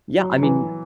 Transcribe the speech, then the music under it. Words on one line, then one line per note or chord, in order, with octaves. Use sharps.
Yeah, I mean
F#3
E3